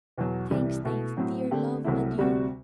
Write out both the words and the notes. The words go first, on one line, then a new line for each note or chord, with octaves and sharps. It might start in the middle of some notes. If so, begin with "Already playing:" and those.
"Thanks, thanks, dear love, adieu!"
E2 B2 F#3
C2 C3 E3 G3
B2 A3 E4
A2 F#3 C4
D3 A3 C4 G4
C2 C3 F#3 A3 E4
D2 C3 G3 C4 F#4